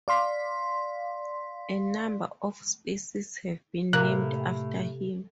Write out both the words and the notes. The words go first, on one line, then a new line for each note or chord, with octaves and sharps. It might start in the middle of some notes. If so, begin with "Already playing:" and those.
A number of species have been named after him.
D5 F5 C6 B6
A2 C3 A#3 F#6